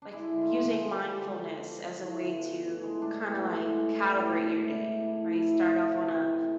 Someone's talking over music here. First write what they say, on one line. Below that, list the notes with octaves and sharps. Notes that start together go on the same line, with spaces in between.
Like using mindfulness as a way to kinda like calibrate your day, right? Start off on a
D4
G#3 E4
D3
F4
F3
B3 G#4
G#3
D3
F3
B3
G#3
D3 D4
E4
F3 D4
B3
B3
A2
G#3
A2 D4
B3
A2
G#3
A2
B3
A2 D4
G#3
E4
A2
A3
C3
E4
E3
C3 E4
A3
C3
E3
C3
A3